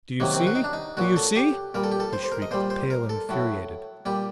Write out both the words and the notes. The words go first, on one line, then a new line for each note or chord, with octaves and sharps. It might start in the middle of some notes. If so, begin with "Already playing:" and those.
"Do you see, do you see?" he shrieked, pale and infuriated.
C3 D#3 F#3 A#3
C4
F#4
D#4
D4
D#4
A#2 F#3 F#4
A4
G4
A#2 G3 A#4
A4
G4
A4
C5
C5
A#4
D#5
A#2 G3 C5
C5
A#4
A4
A2 F#3
A#2 G3 G4